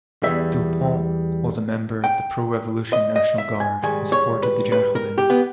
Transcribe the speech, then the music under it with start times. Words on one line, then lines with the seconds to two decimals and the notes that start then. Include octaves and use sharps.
Du Pont was a member of the pro-Revolution national guard and supported the Jacobins.
0.23 E2 C#3 E3 G3 E5
2.04 G5
2.93 D#5
3.16 D#5
3.38 E5
3.60 G#5
3.82 G#2 D#3 G3 G#5
4.12 C#5
4.43 B4
4.72 B4
4.95 A#4
5.18 G4
5.30 B3